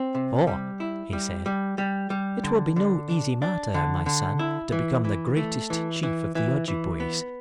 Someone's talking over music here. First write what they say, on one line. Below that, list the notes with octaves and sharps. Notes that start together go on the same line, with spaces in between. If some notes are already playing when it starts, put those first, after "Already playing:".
"For," he said, "it will be no easy matter, my son, to become the greatest chief of the Ojibways."
Already playing: C4
C3
G3
E4
G3
G3
G3
G3
D3
D3
D4
D4
D3
D3
E4
E3
E3
A3
E3
E3
E3
E3
B3